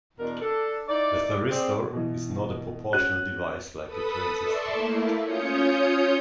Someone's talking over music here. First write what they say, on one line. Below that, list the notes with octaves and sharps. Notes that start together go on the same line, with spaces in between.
A thyristor is not a proportional device like a transistor.
E2 B2 D4 A#4
D4 A4
D#4 E4 D5
C4 G4 G#4 C5 D5
B2 E3
C#4 F#4 F#6 D#7
A4 B4 B5 D#6
A4 D5 E5 A5 C6 C#6
A3 A#3 E4
C#4 F4 C#5 C#6 D#6 G6